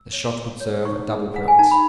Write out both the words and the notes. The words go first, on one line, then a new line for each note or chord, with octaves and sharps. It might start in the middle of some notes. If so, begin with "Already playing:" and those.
The shot would serve a double purpose.
Already playing: E6
C#5
F#4
C#5
D#4 C#6
G#4
G#4 F#5
G#5
D#4 A5
B5